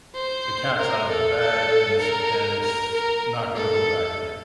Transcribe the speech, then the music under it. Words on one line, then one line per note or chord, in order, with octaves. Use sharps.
the cat's outta the bag, and it's and it's not gonna go back in,
C5
A#4
A4
A4
A#4
A#4
A#4
A4